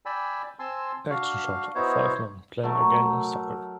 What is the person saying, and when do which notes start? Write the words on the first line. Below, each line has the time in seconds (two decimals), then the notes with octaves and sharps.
Action shot of five men playing a game of soccer.
0.06 D5 G5 G#5 B5 E6
0.59 C4 G#5 A5 C6 E6
1.10 D4 F#4 F5
1.75 B3 D#4 E4 F#4 C5 C#5
2.63 F#3 A3 A#4